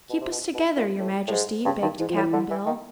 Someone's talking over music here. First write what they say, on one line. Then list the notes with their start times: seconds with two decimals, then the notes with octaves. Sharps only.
"Keep us together, your Majesty," begged Cap'n Bill.
0.10 B2
0.21 C3
0.32 B2
0.54 B2
0.77 A#2
0.99 A2
1.27 A2
1.32 G#2
1.65 G2 C#3
1.82 G2 D#3
1.99 G#2 E3
2.09 F3
2.16 A2 E3
2.33 D3
2.50 E3
2.66 D#3